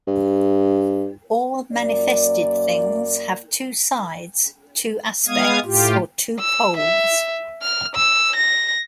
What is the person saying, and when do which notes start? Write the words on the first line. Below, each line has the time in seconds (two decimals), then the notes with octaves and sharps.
All manifested things have two sides, two aspects, or two poles.
0.07 G2
1.73 F#2 A#3 D5
5.27 G#3 B3 F5 D#6 G#6
5.65 A2 F4 G4
6.40 E6
6.77 E5
7.62 F6
7.95 E6
8.36 A#6